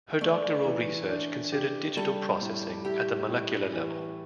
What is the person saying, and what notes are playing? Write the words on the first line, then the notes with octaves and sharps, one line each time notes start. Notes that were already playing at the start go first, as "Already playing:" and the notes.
Her doctoral research considered digital processing at the molecular level.
A3 D5
E3
D4
G4
G3 A4
A2
E4 G4
A2
E3